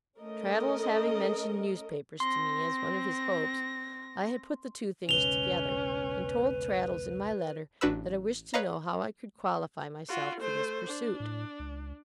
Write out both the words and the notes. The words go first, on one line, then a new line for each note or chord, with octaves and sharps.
Traddles having mentioned newspapers to me, as one of his hopes, I had put the two things together, and told Traddles in my letter that I wished to know how I could qualify myself for this pursuit.
A3 C#4 A4 A#4 D#5
C4 C6 A#6
E1 B1 C#3 C#4 B4 F7 G7
A1 D4 F#4 B4 B5 E6
B4 C#5 D#5 F5 A#5
F4 F#4
A3 C5
D4
A2
C#2